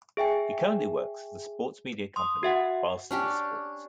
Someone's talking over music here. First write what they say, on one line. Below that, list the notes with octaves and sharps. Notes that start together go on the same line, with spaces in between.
He currently works for the sports media company Barstool Sports.
G#4 E5 G5 G#5
C6 D#6
F#4 E5 F#5
C#4 D4 G4